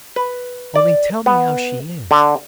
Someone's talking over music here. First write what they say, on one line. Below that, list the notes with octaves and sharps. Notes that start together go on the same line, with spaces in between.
Only tell me how she is.
B4
D5
B3
D3